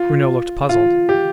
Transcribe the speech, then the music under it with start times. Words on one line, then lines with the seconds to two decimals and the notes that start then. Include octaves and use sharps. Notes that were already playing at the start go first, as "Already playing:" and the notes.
Bruno looked puzzled.
Already playing: F4
0.69 F4
1.09 G4